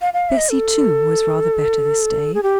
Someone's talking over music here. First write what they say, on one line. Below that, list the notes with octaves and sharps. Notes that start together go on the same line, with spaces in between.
Bessy, too, was rather better this day.
F5
F5
E5
D#5
A4
G#4
G4